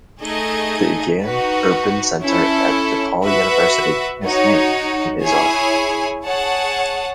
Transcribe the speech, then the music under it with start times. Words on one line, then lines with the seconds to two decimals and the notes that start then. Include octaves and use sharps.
The Egan Urban Center at DePaul University is named in his honor.
0.22 A3 D#4 G#4 D#5 G#5
1.23 D#4 F#4 B4
2.24 C#4 E4 A4 E5
3.24 F#4 B4 E5
4.24 D#4 F#4 C#5
5.25 E4 G#4 C#5 G#5
6.25 G#4 C#5 F#5 A5